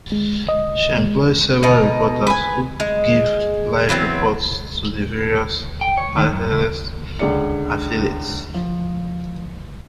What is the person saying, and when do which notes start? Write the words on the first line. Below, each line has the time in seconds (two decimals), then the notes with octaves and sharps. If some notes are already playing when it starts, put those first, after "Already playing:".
It employs several reporters who give live reports to the various Hearst affiliates.
0.12 G#3
0.49 D#5
0.97 G#3
1.63 B2 D#4
2.27 B4 G#5
2.80 G#3
3.89 E3 F#3 B3 C4
5.81 G5
5.98 C#5
6.17 D#3
6.33 F#2
6.51 C#2
7.19 C#2 D3 G#4 D5 C#7
8.54 F3